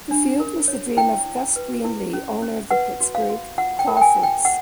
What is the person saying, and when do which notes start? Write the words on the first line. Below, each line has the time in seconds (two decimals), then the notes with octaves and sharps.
The field was the dream of Gus Greenlee, owner of the Pittsburgh Crawfords.
0.11 D4
0.40 A#4
0.68 C#5
0.97 E4 G5
1.26 E4
1.56 B4
1.84 E4
2.13 C#4
2.42 C#4
2.71 B4 F#5
3.01 F#4
3.15 F5
3.30 F#4
3.58 F4 F#5
3.79 G5
3.87 A#4
3.97 G5
4.01 G#5
4.16 F4
4.23 G5
4.45 F4 F#5